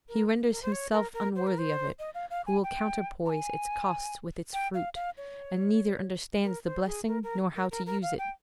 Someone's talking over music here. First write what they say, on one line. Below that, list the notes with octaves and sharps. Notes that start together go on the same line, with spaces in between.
He renders himself unworthy of it who will counterpoise its cost with its fruit, and neither understands the blessing nor how to use it.
A#4
A#4
C5
C#5
A#4
A#4
C5
A#4
C5
D#5
F5
F5
G#5
G5
A#5
G#5
G5
F5
F5
C#5
A#4
C5
G#4
A#4
A#4
A#4
A#4
A#4
F5
G5